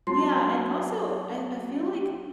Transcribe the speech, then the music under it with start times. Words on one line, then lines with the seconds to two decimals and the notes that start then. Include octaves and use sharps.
Yeah, and also I I feel like,
0.07 F#3 A5 C6 C7